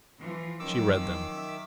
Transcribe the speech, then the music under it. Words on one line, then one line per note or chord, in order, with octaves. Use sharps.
She read them.
E3 F3
D#3 F3 F#3 C#4 D6 E6
E5